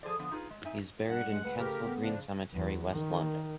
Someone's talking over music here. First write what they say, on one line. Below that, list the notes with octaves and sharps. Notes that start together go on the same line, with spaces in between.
He is buried in Kensal Green Cemetery, West London.
F3 G#4 A4 C5 D5
D3 F3 B3
D#4 F4 G#4 A#4 B4
G#3
C4 D#4 E5 G#5
G2 D4 F#5 E7
G#3
C#2 B4
C#3 A3 G4 A4 A#4
B3
C#3 F3 D4
E2
D#3